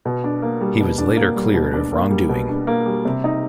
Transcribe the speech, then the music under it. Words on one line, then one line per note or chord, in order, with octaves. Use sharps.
He was later cleared of wrongdoing.
B2
D4
A#3
G3
B2
D4
A#3
G3
B2
D4
A#3
G3
B2
D4
A#3
G3
C3
D#4